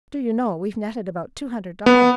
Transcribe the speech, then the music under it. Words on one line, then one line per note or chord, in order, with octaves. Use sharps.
Do you know, we've netted about two hundred dollars.
B3